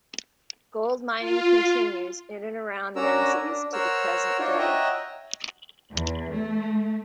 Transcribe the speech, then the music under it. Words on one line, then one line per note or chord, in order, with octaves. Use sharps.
Gold mining continues in and around Menzies to the present day.
F4
C#4 D4 F#4 A#4 A#5 E6
D4
A#4 C5 C#5 F#5 E6 F6
D4 D#4 F4 F#4 C5 C#5
C#5 D#5 E5 F#5 G5 A#5
E2
A3